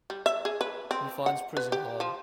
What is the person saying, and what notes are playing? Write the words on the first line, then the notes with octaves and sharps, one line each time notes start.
He finds prison hard.
G3
E5
G#4
B4
C4
F#5
B4
G4
F3